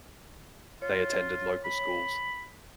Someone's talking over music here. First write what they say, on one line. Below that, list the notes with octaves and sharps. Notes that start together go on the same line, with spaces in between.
They attended local schools.
F4 C#5
B5